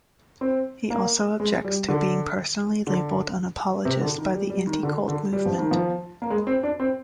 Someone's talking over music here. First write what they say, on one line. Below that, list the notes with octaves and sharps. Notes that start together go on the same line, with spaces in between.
He also objects to being personally labeled an "apologist" by the "anti-cult movement".
C4
A#3
G#3
G3
D3
D3
C3
D3
D#3
G3
G3
D#3
D3
D3
G3
F3
D#3
F3
A#3
G#3
C4
D4
C4